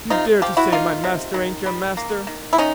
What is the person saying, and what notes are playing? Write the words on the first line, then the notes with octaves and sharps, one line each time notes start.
You dare to say my master ain't your master!
C3 D#4 F4
F3 F4 G4
E4 F#4
A#3 D#4 F4
C3
D#3
G3
A#3
D#3
E4
D#3 C#4 D#4